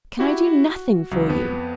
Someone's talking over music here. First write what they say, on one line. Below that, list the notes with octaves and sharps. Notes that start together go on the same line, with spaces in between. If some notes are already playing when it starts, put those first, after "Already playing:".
Can I do nothing for you?'
E4 F#4 G4
F#4
C#2 F#3
F2 B3 B4